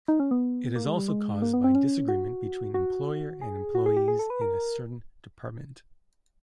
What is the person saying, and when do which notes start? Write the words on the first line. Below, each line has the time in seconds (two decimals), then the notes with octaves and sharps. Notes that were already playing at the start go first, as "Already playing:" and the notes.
It is also caused by disagreement between employer and employees in a certain department.
0.08 D#4
0.20 C#4
0.31 B3
0.76 A#3
0.86 G#3
0.97 G3
1.08 G#3
1.42 A#3
1.54 B3
1.64 C4
1.75 C#4
2.08 F#4
2.74 F#4
3.41 G#4
3.75 F#4
3.86 G#4
3.97 G4
4.08 G#4
4.19 A4
4.30 B4
4.41 A#4